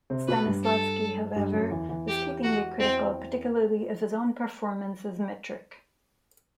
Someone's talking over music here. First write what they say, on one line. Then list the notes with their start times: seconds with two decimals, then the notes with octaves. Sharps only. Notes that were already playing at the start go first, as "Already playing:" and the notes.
Stanislavski, however, was scathingly critical, particularly of his own performance as Mitrich.
0.10 C3 C4
0.27 B2 B3 B4
0.46 G2 G3
0.63 A4
1.36 G2 G3
1.53 F#2 F#3
1.71 E2 E3
1.89 E2 E3
2.08 G4
2.43 F#4
2.79 E2 E3 C4